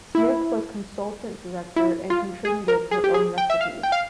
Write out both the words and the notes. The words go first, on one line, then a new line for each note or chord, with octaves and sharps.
Smith was Consultant director and contributed her own recipes.
E4
E4
F4
G#4
A#4
G#4
G4
G#4
G5
E5
F5
G5
F5